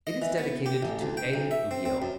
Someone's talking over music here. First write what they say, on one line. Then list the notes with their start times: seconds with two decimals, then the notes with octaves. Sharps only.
It is dedicated to A. Leo.
0.07 D#5
0.22 E3
0.38 B3
0.66 G4
0.83 A1
1.01 D2
1.17 G5
1.34 B1
1.51 E5
1.71 C4
1.85 C4
2.02 F#2